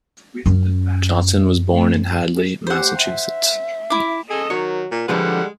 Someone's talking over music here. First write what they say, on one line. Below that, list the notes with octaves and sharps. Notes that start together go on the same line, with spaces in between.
Johnson was born in Hadley, Massachusetts.
F#2 C#4
G4 C5 F#5
E5
E4 D6
G#4 A4 D#5
D#3 F#3 C#5
A#2
D3 F3 G3 G#3 A4 B4 F#5